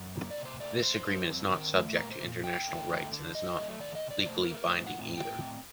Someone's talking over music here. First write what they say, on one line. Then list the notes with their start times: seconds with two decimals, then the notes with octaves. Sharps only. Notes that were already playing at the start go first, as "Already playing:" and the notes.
This agreement is not subject to international rights and is not legally binding either.
Already playing: F#2
0.15 A#3
0.30 D5
0.37 C3
0.45 C5
0.60 A3 D5
0.83 A3 C5
1.06 F#2
1.29 C4
1.51 D#3 A#4
1.74 A3
1.97 A#2 A#4
2.12 C5
2.20 A#2
2.43 D3 G5
2.66 A3
2.89 D3
3.11 D3
3.35 F#3 D#5
3.58 A3
3.79 D#3 D5
3.95 D#5
4.03 C3
4.11 D5
4.21 D5
4.25 A3 C5
4.42 A#4
4.49 A3
4.57 A#4
4.71 A2 C5
4.86 F#5
4.95 C4
5.17 A2 G5
5.41 C4